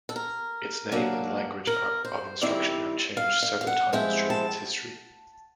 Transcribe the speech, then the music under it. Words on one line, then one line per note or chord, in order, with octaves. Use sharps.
Its name and language of instruction have changed several times during its history.
A4
A#4
F#3 A#3 D4
A#4
C5
D#3 G3 C4 E4 D5
F5
F5
F5
F#5
F3 G#3 C4 E4 G5
A5